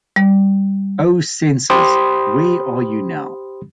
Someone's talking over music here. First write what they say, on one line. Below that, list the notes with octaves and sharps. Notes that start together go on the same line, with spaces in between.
O censors, where are you now?
G3
G4 C5 B5 C6 D#6